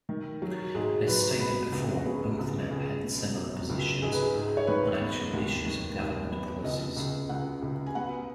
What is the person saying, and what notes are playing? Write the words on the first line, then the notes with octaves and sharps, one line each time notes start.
As stated before, both men had similar positions on actual issues and government policies.
D#3
F#3
G#2 G#4
F#3 B4
B3 B4
C#2
F#4
B3 G#4
C#2
C#2 G#4
B2
F#3
C#2
G#2 G#4
B4
G#4
G#2
C#5
D#3 B4
B3
D#2
D#3
D#2
B3
C#2 D#5
C#2
C#2 F#5
C#2
G#5
B3 F#5